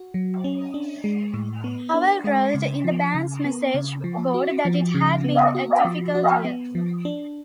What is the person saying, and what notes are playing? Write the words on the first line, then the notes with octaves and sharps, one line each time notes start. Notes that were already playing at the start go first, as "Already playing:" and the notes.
Powell wrote in the band's message board that it had been a difficult year.
Already playing: F#4
F#3
C#4
D4
G#3
A2
B3
D4
G#3
C#3
F3
C#3
B3
C#3
F3
F#4
F3
C#3
B3
F#4
F3
F#4
B3
F3
D4